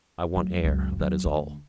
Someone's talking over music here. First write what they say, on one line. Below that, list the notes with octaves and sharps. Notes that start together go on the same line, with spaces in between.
"I want air, that is all."
F#3 A3
C#2 F#2
D#3 F#3
D2